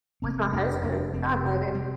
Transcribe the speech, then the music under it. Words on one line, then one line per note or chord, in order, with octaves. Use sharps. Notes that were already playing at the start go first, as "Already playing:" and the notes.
with my husband, I love him,
F1 C4
F2 D4
F1 D4
F1 C4
C3
C3 G3